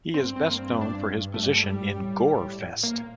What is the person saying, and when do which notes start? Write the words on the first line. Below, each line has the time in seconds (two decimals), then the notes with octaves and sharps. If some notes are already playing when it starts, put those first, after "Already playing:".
He is best known for his position in Gorefest.
0.14 G2 C4
0.36 C4
0.49 A#3
0.58 C4
0.81 D4
1.34 A3
1.43 G3
1.53 A3
1.63 G3
1.94 A2
2.83 A#2 A#3